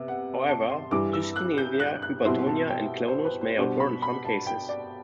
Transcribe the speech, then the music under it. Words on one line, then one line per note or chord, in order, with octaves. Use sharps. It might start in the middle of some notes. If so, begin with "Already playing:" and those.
However, dyskinesia, hypertonia, and clonus may occur in some cases.
Already playing: C3 B3
F#5
A5
C6
G2 E3 G3 D6
E6
F#6
G6
F#6
F#6
B2 G3 C4 E4 C6
A5
G5
C5
B4
C5
B2 G3 D4 C5
B5
B5
A5
G5
D5